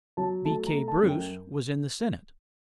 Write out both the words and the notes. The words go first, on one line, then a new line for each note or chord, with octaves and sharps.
B.K. Bruce, was in the Senate.
F#3 A5
A3 A5
A#5
A3
A5
F#2
G5